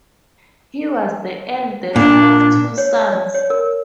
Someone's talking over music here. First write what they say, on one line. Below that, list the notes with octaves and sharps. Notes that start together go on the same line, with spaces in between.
He was the eldest of two sons.
A#2 D4
C#5
D5
C#5
A#4